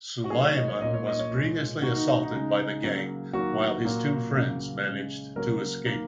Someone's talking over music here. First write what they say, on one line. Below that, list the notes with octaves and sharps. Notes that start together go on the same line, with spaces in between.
Sulaiman was grievously assaulted by the gang while his two friends managed to escape.
F#4
D#3 F#3 A#3 G#4
C#5
D#5
C#5
A#2 A#3 D#5
C#5
D#5
C#5
A#2 G#3
D#3 A#3 F#4
D#4
D#4
C#3 G#3
C#3 F#3 A#3
D#3 F#3 A#3 F#4
A#2 F#3 A#3
C#3 F#3 A#3
C#3 G#3
C#3 F#3 A#3 A#4
D#3 F#3 A#3